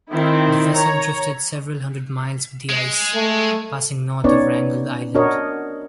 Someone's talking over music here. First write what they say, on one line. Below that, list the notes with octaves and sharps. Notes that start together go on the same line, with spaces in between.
The vessel drifted several hundred miles with the ice, passing north of Wrangel Island.
D#3 C4 E4
C#5 A#5
G#3
A3
B3 C#4 D#4 C#5 D5
D4 F#4 A#4 C#5 D#5